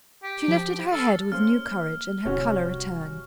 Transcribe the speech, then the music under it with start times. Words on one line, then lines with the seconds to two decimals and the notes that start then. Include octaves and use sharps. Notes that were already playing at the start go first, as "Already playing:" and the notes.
She lifted her head with new courage and her colour returned.
0.23 G4
0.48 F3
0.92 A4 F6
1.32 A#3 C#4 G#4 C5 F6
2.25 D1 C2 C3 C#4 F#4 C#5